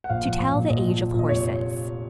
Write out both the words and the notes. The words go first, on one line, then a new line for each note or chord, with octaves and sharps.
To Tell the Age of Horses.
F#5
A#1 F5
F3
A#1
A#2
A#1 D#5
F3
F3
A#2
D#5
F1 C#5